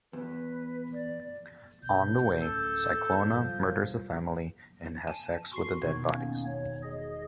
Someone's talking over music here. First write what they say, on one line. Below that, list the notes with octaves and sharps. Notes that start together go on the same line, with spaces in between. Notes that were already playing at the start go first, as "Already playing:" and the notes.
On the way, Cyclona murders a family and has sex with the dead bodies.
E2 B4
D5
B1 G6
D1 A2 C#4 A4
G2 C3
E1 F3 G3
G#5 A5
F#4 C6 C#6 C7
E1 B2 D#3 G#6
A#3 B3 C#4
C#5
G#4 D#5